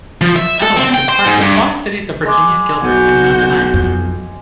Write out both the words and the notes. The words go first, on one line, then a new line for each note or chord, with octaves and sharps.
Eveleth is part of the Quad Cities of Virginia, Gilbert, and Mountain Iron.
F3
E5
A4
C4
G5
C5
G#2
G2
G#3 G#4 D6
B1 F#4 G#5 G6
F2